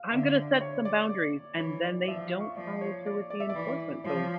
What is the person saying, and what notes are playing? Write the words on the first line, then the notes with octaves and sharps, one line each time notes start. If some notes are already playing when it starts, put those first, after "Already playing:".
"I'm gonna set some boundaries," and then they don't follow through with the enforcement. So,
Already playing: F5
D3 E5
D5
C#5
D5
D5
E3 C#5
D5
D5
F3 E5
F5
C#6
F3 D5
C#5
D5
D5
E5
D5
E3
F3 C#5
C#5